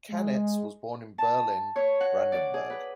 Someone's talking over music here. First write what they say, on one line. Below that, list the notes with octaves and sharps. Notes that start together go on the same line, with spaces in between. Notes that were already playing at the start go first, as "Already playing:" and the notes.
Canitz was born in Berlin, Brandenburg.
G#3
A5
C#5
F#5
D5
G#4
B4